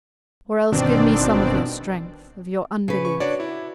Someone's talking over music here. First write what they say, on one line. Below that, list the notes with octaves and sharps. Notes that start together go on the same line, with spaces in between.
Or else give me some of your strength--of your unbelief. . . .
G1 B2 D#3 C4 D4 D5
C#3 B4
C#6
D4 F#4 C#5 D5
E4